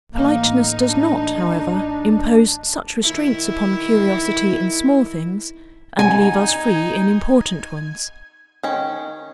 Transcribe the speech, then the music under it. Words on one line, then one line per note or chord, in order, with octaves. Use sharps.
Politeness does not, however, impose such restraints upon curiosity in small things, and leave us free in important ones.
A1 A#3 D#4
D4
D#3 E4
D#4 G#5
D#3 C#4